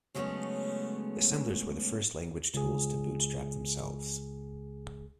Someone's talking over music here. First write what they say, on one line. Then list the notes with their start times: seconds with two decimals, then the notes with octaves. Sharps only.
Assemblers were the first language tools to bootstrap themselves.
0.15 C#3 F#3 G#3 A3 B3 C#4
2.54 C#2 G#4